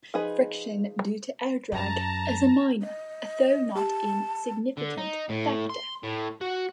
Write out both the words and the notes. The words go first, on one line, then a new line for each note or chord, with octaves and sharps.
Friction due to air drag is a minor, although not insignificant, factor.
F3 D#4 G#4 B4 B5
F#2 A5 A#5
D#5
G4 A5
D3
D#4
A2
C6
A2
F#4